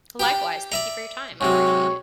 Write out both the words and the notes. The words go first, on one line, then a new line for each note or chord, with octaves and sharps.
Likewise, thank you for your time, I appreciate it.
G4 G5
D5 E5 A#5
G#2 C3 F#3 C#5